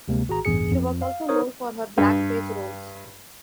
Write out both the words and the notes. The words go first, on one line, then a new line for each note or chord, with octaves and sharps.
She was also known for her blackface roles.
D2 C3 G#3 A#3
G#1 F#4 G#4 A#5
A1 E2 G2 G#4 C#7
F2
F5
D#4 A#4 C5 C#5 D#6
G2